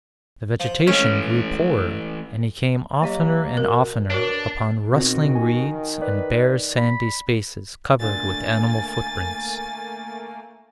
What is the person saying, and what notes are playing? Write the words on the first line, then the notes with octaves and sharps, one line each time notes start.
The vegetation grew poorer and he came oftener and oftener upon rustling reeds and bare sandy spaces covered with animal footprints.
F3
C#2 E3 A3 C#4
F#3 A#3 G4 D#5
B2 A#4
G2 D4 F#4 A#4 C#5
B2 D#3 C4 F4 F#4
G#5
B4 D5
B5
A#2 D3 A3 A#3 F4 G#5 A6